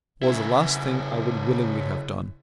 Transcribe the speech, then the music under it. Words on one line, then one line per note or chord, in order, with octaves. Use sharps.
It was the last thing I would willingly have done.
C#3 E4